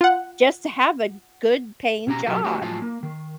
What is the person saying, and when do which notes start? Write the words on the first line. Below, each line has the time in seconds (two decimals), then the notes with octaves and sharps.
just to have a good paying job.
0.01 F4 F#5
2.07 B2 C#4 G4 A#5
2.26 B2 F#3 F#4 G4 A4
2.44 A3 F#4 G4 A4 A#4 C#5
2.62 A2 F3 F#3 F4 G#5 A5
2.82 A#3
3.03 D#3